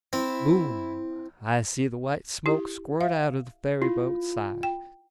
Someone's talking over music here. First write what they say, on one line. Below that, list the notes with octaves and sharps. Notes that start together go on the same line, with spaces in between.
"Boom!" I see the white smoke squirt out of the ferryboat's side.
C4 E4
E4 G4
E5 F5
E4 F4
G5